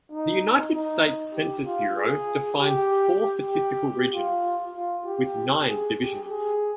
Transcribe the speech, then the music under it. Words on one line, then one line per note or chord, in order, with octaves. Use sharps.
The United States Census Bureau defines four statistical regions, with nine divisions.
D#4
D#4
G4
F4
G#4
G4
G4
F4
F4
G4
G#4
G4
G#4